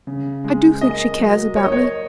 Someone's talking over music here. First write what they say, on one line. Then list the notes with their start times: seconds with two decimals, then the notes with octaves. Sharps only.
I do think she cares about me.
0.07 C#3
0.44 G#3
0.81 A#3 D#5
1.18 F#3
1.55 A#3 C#5
1.64 D#5
1.72 C#5